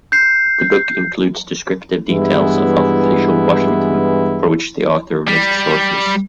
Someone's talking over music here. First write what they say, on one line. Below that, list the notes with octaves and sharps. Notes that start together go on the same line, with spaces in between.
The book includes descriptive details of official Washington, for which the author lists sources.
G6 C7
G2 E3 G#3 B3 E4
G3